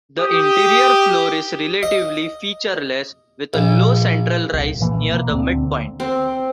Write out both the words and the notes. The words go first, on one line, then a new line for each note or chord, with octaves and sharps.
The interior floor is relatively featureless, with a low central rise near the midpoint.
G4 D#6
D#5
A#1
C2
A#2 E3 A3 A#3
B2 A#3
D2 D3 F#3 C4
C4